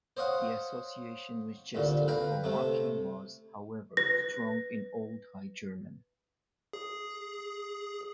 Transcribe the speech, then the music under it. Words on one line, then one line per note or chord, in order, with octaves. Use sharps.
The association with jesting or mocking was, however, strong in Old High German.
C5 C#5 D#5 F5 F#5
C2 A#2 D3
B4 F5 G5 A#5
C3 A3
B4 A#6
G#4